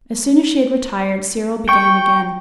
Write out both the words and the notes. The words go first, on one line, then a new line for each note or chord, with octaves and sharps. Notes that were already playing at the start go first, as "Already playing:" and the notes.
As soon as she had retired, Cyril began again.
G5 C#6